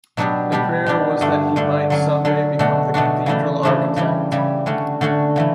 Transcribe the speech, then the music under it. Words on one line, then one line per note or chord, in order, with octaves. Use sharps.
The prayer was that he might someday become the cathedral architect.
B2 F#3 B3 D4 G4
B2 G3 D4 G4
B2 G3 D4 G4
G2 D3 A3
G2 D3 A3
D3 F#3 C#4
D3 F#3 C#4
B2 A3 D4 F#4
B2 A3 D4 F#4
C#3 E3 A3 D4
C#3 E3 A3 D4
C#3 E3 G3
C#3 E3 G3
D3 A3 C#4 F#4
D3 A3 C#4 F#4
C#3 E3 A3